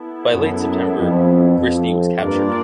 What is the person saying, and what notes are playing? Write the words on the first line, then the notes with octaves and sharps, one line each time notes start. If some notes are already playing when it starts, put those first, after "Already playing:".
By late September Gristy was captured.
Already playing: B3 E4 A4
F#2
F2
F2
G2 A#3 D4 F4 A#4 D5